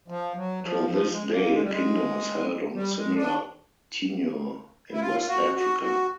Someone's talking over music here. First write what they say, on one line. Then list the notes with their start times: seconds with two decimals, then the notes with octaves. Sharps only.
To this day a kingdom is held on a similar tenure in west Africa.
0.08 F3
0.35 F#3
0.63 F3
0.90 F3
1.11 G#3
1.31 A#3
1.52 G#3
1.62 G3
1.70 G#3
2.74 G3
2.96 G#3
3.16 D4
4.92 E4
5.00 F4
5.20 F4
5.27 F#4
5.55 F#4
5.82 F#4